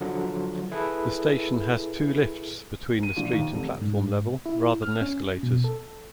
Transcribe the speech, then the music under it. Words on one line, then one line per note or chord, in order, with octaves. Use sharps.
The station has two lifts between the street and platform level, rather than escalators.
D3 F3 F#3
E4 G#4 A4 B4
D#7
A#1
D#2
F1
G#2
E4
F6
C#4
B2
A4